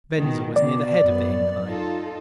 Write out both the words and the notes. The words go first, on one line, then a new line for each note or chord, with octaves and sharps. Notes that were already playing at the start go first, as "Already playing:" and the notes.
Venza was near the head of the incline.
B2 D#3
B2 D#3 D5
F#2 B3
D#4 F4 A4